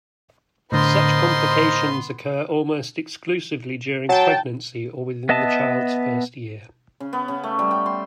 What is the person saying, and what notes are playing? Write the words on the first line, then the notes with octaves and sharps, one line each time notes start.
Such complications occur almost exclusively during pregnancy or within the child's first year.
A2 D3 B3 A#4 C5 D#5 C6
F#3 G5 A5
B3 D#5 E5 A5
C#3
B3
C#3
A3
G3
G5
C6